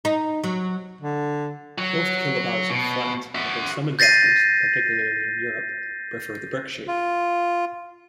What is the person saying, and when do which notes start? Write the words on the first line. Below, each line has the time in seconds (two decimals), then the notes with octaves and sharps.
Most kilobars are flat, although some investors, particularly in Europe, prefer the brick shape.
0.05 D#4
0.44 F#3
1.01 D3
1.78 F#3
2.70 B2
3.35 F#4 E5
3.99 G6 A6 A#6 C7 D#7
6.88 F4